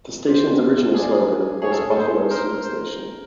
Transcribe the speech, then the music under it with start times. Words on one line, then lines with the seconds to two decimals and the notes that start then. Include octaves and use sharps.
The station's original slogan was "Buffalo's Superstation".
0.27 G4 C5
0.94 G#4 D5
1.62 G#4 C#5
1.72 A4
1.81 G#4
1.90 A4
1.96 G#4 C5
2.30 A#4 C5
2.64 C5